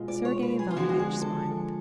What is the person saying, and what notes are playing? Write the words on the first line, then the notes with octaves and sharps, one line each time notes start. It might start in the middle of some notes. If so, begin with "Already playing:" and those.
Sergey Ivanovitch smiled.
Already playing: B2 G#3 F4
D5
C#5
B4
G#4
F4
D3 F3 G#3 D4 F#4
F#4
G#4
A4